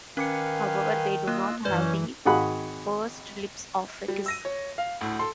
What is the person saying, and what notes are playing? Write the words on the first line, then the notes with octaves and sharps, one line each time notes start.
However, they do not have the pursed lips of a kiss.
D#3 C#4 B4 F5 G#5 D6 C#7
A#3 F4 D#5 E6 F#6
F#2 E3 C#4 B4 C#5 D5 G6
G#1 F#4 G#4 F#5 B5
G3
E6 A#6 D#7
C#5
F5
D2 A2
A4 C6